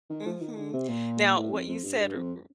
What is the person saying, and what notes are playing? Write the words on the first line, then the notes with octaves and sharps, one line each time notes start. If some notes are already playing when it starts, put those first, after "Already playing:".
Mhm, now, what you said, r r
D#3
F3
D#3
D3
C3
A#2
A2
F2
F2
G2
G2
F2